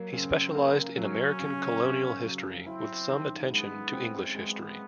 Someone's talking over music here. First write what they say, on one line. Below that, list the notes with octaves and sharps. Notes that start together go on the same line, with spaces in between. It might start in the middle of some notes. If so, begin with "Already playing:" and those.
He specialized in American colonial history, with some attention to English history.
Already playing: F#3 A#3
C#3 C4
A#3
F#3 C#4
C#3
C#3
F#3
C4 E4
D#3
G#3 B3
C4
G#3 B3